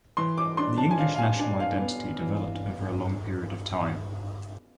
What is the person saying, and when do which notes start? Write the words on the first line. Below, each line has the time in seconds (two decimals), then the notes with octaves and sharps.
The English national identity developed over a long period of time.
0.17 E3 C6
0.38 D6
0.57 D4 C6
0.78 A5
0.91 G#5
0.98 D4 F5
1.15 F5
1.18 G#5
1.39 D4 G#5
1.60 F5
1.80 B3
2.20 E3